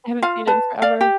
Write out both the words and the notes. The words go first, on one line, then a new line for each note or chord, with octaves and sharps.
I haven't seen it in forever.
F4 F5
B4 A5
D5 F5
G4